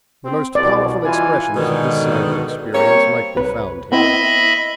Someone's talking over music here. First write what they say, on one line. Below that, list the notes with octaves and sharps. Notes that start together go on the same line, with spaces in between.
The most powerful expressions of this side of experience might be found here.
C4
C2 B2 D5
E3 F4 G#5
G#2 B2 D3 D#3
G3 A#3 C4 C#5
C2 B4
B3 C4 E4 D#5 E5 B5